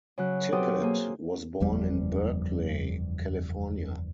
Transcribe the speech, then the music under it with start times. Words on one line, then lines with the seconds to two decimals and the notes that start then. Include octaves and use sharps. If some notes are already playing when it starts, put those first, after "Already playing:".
Tippett was born in Berkeley, California.
0.18 C#3 F#3 F#6
0.52 B2 F#3 C4 G4 A4 D#6
0.82 A#3 G#4
1.60 F#1 E2 F3 G3